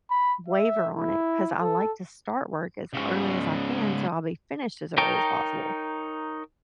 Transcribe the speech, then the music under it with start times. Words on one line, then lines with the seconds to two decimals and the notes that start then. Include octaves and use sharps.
waiver on it 'cause I like to start work as early as I can, so I'll be finished as early as possible.
0.10 B5
0.48 E5
0.96 E4
1.61 A4
2.94 G#2 C#3
4.98 D#4 A#4 C#5 G5 A5